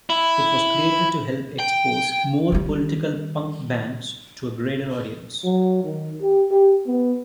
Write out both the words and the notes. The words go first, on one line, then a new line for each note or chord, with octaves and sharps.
It was created to help expose more political punk bands to a greater audience.
E4
G5
D#3 G3
F#3
D#3
G4
G4
B3